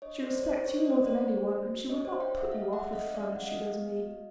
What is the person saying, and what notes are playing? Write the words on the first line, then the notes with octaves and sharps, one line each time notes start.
She respects you more than any one, and she would not put you off with fun as she does me.
D4 C#5 D#5
A4 C5 D5
F4 C5 D5
D4 C#5
D#5
D4 C5 D5
A4 C5 D5
D4
A4
F#4
D4 C#5 D#5
C5 D5
D4
F5 G5
A4
E5 F#5
A4 D#5 F5
E4 E5 F#5
C#4 D#5 F5
F5
A3 D5 E5
A4 F#5
D#5 F5
E4
B3
F#4